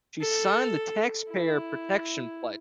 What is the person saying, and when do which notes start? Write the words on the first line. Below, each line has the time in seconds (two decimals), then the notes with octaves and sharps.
She signed the Taxpayer Protection Pledge.
0.21 A4
1.30 E4